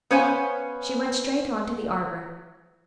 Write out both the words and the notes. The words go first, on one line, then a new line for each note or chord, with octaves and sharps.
She went straight on to the arbor.
B3 C#4 C5 C#5 F5 G#5